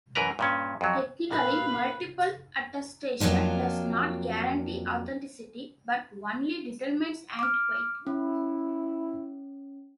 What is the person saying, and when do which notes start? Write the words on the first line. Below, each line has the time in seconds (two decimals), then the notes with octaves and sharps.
Technically, multiple attestation does not guarantee authenticity, but only determines antiquity.
0.15 F#2 E3 A#4 B4 A#5
0.39 G2 A#2 C#4
0.81 F2 F#3
1.30 A#2 B4 F5
3.20 F2 F#3 A#3 D4 F4
7.39 D6 F6
8.07 C#4 E4